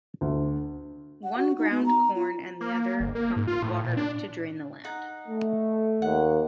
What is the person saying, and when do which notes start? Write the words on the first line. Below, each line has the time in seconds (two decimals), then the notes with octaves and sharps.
One ground corn and the other pumped water to drain the land.
0.21 D2
1.23 F#5
1.38 F#4
1.58 D#4
1.70 B3
1.86 A#5
2.15 F4
2.61 A#3
3.00 G1
3.15 A#3
3.36 G#2
3.47 F4
3.63 A2
3.84 A#2
3.97 D4
4.84 D#4 F#5 A#5
5.28 A3
6.02 D#2 F#5